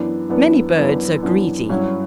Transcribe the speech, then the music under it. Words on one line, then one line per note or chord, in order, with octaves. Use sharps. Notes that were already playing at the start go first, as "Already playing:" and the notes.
Many birds are greedy.
Already playing: F#2 E3 B3 D4
F#2 E3 B3 D4
F#2 E3 B3 D4
F#2 E3 B3 D4
G2 F#3 C#4 E4